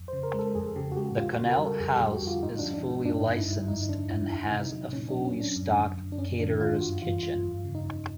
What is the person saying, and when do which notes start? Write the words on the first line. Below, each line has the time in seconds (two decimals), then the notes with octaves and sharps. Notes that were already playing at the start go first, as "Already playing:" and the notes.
The Connell House is fully licensed and has a fully stocked caterer's kitchen.
Already playing: F2
0.08 C5
0.13 C#3
0.23 A#4
0.34 G#3
0.39 A4
0.55 F2 G#4
0.76 C#3 G4
0.92 F#4
0.96 G#3 G4
1.17 F2 F4
1.33 F#4
1.39 C#3
1.49 A#4
1.59 G3
1.64 A4
1.80 F2 G#4
1.96 G4
2.01 D3
2.12 F#4
2.22 F2
2.27 F4
2.43 G#2 D#4
2.59 D4
2.64 F3
2.74 D4
2.84 G#2
2.90 D#4
3.05 G2 D4
3.20 D#4
3.26 D3
3.37 E4
3.47 G2
3.53 E4
3.68 F2 D#4
3.89 D3 D4
4.10 F2 E4
4.30 F2 E4
4.51 C3 D#4
4.72 F#3
4.93 A#2 C#4
5.09 D4
5.15 F#3
5.25 C#4
5.35 F#3
5.40 D4
5.56 F#2
5.77 D3
5.98 F#2
6.12 D4
6.18 F#2 C#4
6.39 D#3 D4
6.60 F#2 F4
6.81 G2 F#4
7.02 E3 F4
7.23 G2 F4
7.44 F2
7.65 C#3
7.75 D#4
7.85 F2